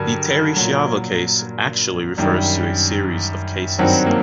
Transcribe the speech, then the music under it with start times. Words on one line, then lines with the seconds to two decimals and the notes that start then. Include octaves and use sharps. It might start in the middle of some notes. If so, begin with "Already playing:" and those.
The "Terri Schiavo case" actually refers to a series of cases.
Already playing: G2 D3 F#3 A#4
0.56 A#2 F#3
2.17 F#2 D#3 G3 D4
3.79 G2 D#3 F#3 C4
4.06 A#3